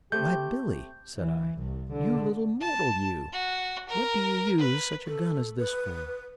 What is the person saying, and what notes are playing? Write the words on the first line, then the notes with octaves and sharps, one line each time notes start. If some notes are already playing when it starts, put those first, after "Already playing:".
"Why, Billy," said I, "you little mortal, you! what do you use such a gun as this for?"
A3 C4 G4 G6
E3
C2
D3
A5
F#4
A#4
B4
A4
B4